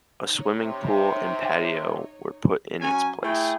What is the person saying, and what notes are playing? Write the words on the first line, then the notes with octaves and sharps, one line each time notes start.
A swimming pool and patio were put in its place.
D#4 C#5
C3
F#3 C#4 G#5
A3 E4 G#4 G5